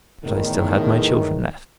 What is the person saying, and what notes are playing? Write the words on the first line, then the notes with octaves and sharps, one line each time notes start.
But I still had my children left.
E2 A2 D#3